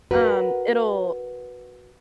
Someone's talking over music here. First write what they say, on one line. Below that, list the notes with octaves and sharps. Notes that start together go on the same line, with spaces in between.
um, it'll,
F#4 A#4 B4